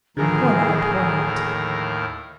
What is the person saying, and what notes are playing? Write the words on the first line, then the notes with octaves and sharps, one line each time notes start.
"Worn out! worn out!"
D#2 A2 D3 D#3 F3 G#4 A#4